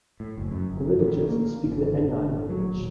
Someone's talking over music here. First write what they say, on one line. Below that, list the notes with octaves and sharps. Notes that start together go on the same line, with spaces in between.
The villagers speak the Andi language.
A2
F#1
F#2
G1
A1
A#3
G#1
G1
F#3
D#1